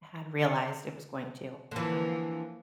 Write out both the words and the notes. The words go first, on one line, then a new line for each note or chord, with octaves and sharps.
had realized it was going to, um
D3 E3 F3 A#3